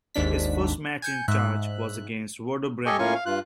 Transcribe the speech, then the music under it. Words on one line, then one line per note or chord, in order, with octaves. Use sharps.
His first match in charge was against Werder Bremen.
G#1 D#2 G#2 D4 B6
G#5 G6 C#7
G#2 E5 F#6
G4 A4 D#5 G#5 C#6
A2 A#3 C#4 F4 G#5 C#6
F5
G2 F4 F#6